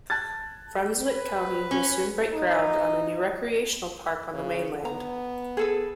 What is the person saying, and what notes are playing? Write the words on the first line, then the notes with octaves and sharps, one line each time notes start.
Brunswick County will soon break ground on a new recreational park on the mainland.
A5 F#6 G#6 A6
B4
C#4
D#4
C#3
B3 A#5
G#4 A4 B4